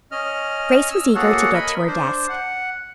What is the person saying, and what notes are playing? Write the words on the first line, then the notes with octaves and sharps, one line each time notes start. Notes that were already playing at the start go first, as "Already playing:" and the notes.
Grace was eager to get to her desk.
C#4 D#5 F6
E6 F6
A#3 F#4 G#4 A4 C#5 F#5
A#4 D#5 B5
D4 C5
F#5